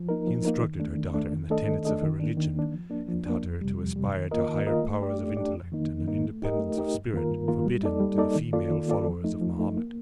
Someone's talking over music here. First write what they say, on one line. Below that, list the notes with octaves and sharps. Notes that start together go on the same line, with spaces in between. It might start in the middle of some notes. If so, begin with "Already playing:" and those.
She instructed her daughter in the tenets of her religion and taught her to aspire to higher powers of intellect and an independence of spirit forbidden to the female followers of Muhammad.
Already playing: F3
A#3 D#4 A#4
F3
A#3 D#4 A#4
D#3
A3 D4
D#3
A3 D4
D#3
A3 D4 A4 D#5
D#3
A3 D4 A4 D#5
D#3
A#3 D4
D#3
A#3 D4
F3
A#3 D4
F3
A#3 D4
F2
C3 G3
F2
C3 G3
D#3
A#3 F4 A#4 D#5
D#3
A#3 F4 A#4 D#5
A3
D4 G4 D5
A3
D4 G4 D5
F2
D#3 A#3 D#4
F2
D#3 A#3 D#4
A3
D#4 G4 A#4 D#5
A3
D#4 G4 A#4 D#5
G2
D#3 A#3 F4 A#4
G2
D#3 A#3 F4 A#4
G3
A#3 D#4 A4 D5
G3
A#3 D#4 A4 D5
D#3
A#3 F4 A4 D5
D#3
A#3 F4 A4 D5
F3
A3 D#4
F3
A3 D#4
A#3